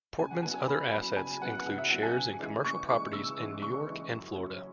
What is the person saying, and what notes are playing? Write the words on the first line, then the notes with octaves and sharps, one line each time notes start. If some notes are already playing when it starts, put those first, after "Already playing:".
Portman's other assets include shares in commercial properties in New York and Florida.
C#3 G#5
F#5
F#3 B3 E4 G#5
G#5
C#3 B5
F#3 B3 E4 B5
C#3 G#5
F#3 B3 E4 F#5
C#3 F#5
E5
F#3 B3 E4 F#5
G#5
C#3
E3 G#3 E4
C#3 C#6
E3 G#3 E4 C#6
C#3 E6
E3 G#3 E4
C#3 C#6
E3 G#3 E4
F#2
F#3 C#4 E4